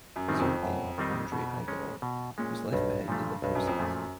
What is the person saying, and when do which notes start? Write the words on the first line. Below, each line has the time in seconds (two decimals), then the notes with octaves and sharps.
His old name, Andrei Ivanov, was left behind in the process.
0.16 F#2
0.28 F#2 D#3 G3 C4 D#4
0.39 F2
0.63 F#2
0.98 D#3 G3 C4 D#4
1.32 B2
1.68 G#3 C#4
2.02 B2
2.38 A#2 G#3 C#4
2.73 B1 G2
3.08 A#2 F3 A3
3.42 B1 G2
3.55 F#2
3.67 F2
3.78 F#2 A#2 F3 A3